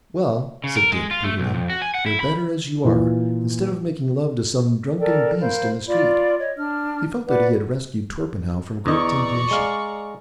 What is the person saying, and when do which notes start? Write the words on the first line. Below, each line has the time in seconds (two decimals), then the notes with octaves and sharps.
'Well,' said Dick, brutally, 'you're better as you are, instead of making love to some drunken beast in the street.' He felt that he had rescued Torpenhow from great temptation.
0.64 C#3
0.77 A#4
0.93 G#3
1.11 F4
1.24 A3
1.40 B1
1.54 F2
1.70 F#4
1.82 G#5
1.94 F#5
2.06 E4
2.20 B5
2.85 A#2 E3
5.00 A4 A#4 D5 G5
5.40 A#4 C5 F5 B5
5.87 F4 D5 B5
6.38 C#5 D#5
6.57 D4 F6
7.27 B4 D5 F#5 D6
8.86 E2 D5 D#5 A#5 C#6
9.51 G#3 F5